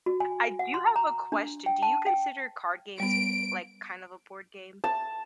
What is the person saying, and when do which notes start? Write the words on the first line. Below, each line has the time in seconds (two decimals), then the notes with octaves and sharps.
I do have a question, do you consider card games, like, kind of a board game?
0.06 F#4
0.20 G#5
0.59 F#5
0.74 C6
0.96 A#5
1.32 D4
1.66 G5
1.83 A5
2.07 G5
3.00 G3 B3 D7
4.84 A5